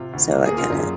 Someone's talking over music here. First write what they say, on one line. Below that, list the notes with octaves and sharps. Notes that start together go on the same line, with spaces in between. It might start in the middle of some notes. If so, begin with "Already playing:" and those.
So I kinda
Already playing: C3 F4
D2
A#3
G#4
A#3
F4
F#2